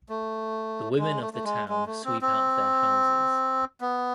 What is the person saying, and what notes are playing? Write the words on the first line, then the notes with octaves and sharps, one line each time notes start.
The women of the town sweep out their houses.
A3
G#3
A3
A3
G#3
G#3
A3
C4
C4
B3